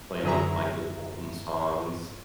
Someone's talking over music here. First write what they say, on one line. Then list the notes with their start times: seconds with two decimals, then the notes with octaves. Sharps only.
playing, like, Michael Bolton songs.
0.23 F#2 D3 F#3 G#4 E5 A#5